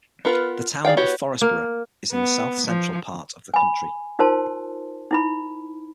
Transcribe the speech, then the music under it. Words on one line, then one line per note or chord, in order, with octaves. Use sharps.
The Town of Forestburgh is in the south-central part of the county.
B3 F4 A#4 B4
G#4 D5 F5 G5
B3 E4 F#4 G4 C#5
A#3
B3
F3
G#5 B5
D#4 F4 A#4 C5 A5 C6
D#4 E4 B5